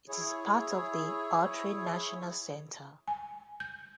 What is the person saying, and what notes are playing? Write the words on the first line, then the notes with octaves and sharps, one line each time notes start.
It is part of the Autry National Center.
E4 G#4 C#5
G#5
G6